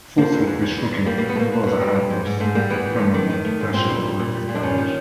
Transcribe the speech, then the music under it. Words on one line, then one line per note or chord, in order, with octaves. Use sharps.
Forceful fish-hooking involves a high risk of permanent facial or orifice damage.
F3 A#3
E2
E2
E2
E2
E2
G3 A#3
A#3
B2
B3
B2 A3 A#3
B2
B2
G3
G3
G#2
G#2
G#2 A3
G3 A#3
E3 B3
D#3
A3
D#3
D#3
A3
G#2
A#2 C4
G3
G3
A#2
G3
A#2
D4
G2 C#4
D#3